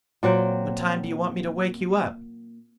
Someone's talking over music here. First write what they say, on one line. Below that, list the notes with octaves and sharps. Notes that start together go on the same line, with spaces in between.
"What time d'you want me to wake you up?"
A#2 F#3 C4 G5